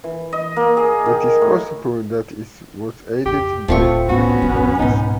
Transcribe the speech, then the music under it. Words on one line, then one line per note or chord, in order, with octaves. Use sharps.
It is possible that it was aided by the Hungarians.
E3
D#5
A#3
G#4
D#3
A2
F2 E4 G4
D1 A3 C4 D4 F4 C#6
A1 B3 C#4 F#4
A1 F2
B1 G#2 D#4